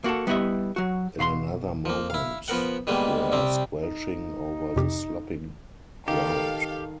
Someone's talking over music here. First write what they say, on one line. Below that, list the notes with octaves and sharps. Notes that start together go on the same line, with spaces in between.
In another moment were squelching over the sloppy ground.
A#3 F#4 G4 A4
G3 B3 E4 A#4 D#5 E5
F#3 F#4
B2 F5 B5 C6
F3 A#3
E4 F5
F3 B3 A#4 F#5
D#3 G3 G#3 A#3 B3
C3 G3 C4
D#4
F2 C3 G4
D#3 G4 A4 F5